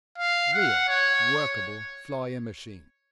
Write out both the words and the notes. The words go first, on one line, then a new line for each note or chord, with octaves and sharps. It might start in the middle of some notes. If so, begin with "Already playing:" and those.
Real, workable, flying machines.
F5
F#5
C#5